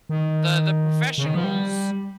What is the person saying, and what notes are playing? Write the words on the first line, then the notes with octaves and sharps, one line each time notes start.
The the professionals,
D#3
C#3
D#3
F3
G3